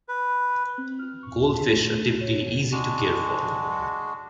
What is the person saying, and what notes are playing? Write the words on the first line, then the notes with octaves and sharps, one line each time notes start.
Goldfish are typically easy to care for.
B4
C4
F6
C#6
D#2
A3
C#5
G#3 D4 F#4